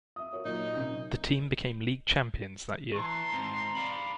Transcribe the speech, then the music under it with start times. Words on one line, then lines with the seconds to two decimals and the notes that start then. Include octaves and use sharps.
The team became league champions that year.
0.16 E5 D#6
0.33 F#4 A#4 C#5
0.45 A#2 F#3 A#3 D#4
0.74 C3 C#4 G6
2.96 E3 A5 A#5 C6
3.32 G#2 C4
3.75 D5 F5 B5